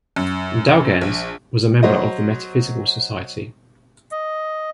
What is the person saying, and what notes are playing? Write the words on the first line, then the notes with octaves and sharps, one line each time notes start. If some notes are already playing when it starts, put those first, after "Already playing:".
Dalgairns was a member of the Metaphysical Society.
F#2
A#1
F#3 C5 D#5
D#5